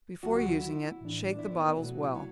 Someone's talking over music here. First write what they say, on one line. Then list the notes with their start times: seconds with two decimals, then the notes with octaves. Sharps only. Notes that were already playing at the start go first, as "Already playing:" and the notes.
Before using it, shake the bottles well.
0.23 D2 D3 F#3 F#4
0.36 F#4
0.49 E4
1.01 A2 E3 D4
1.29 D4
1.39 E4
1.52 B3
1.64 B3
1.76 B2 F#3 A3 E4
2.15 F#3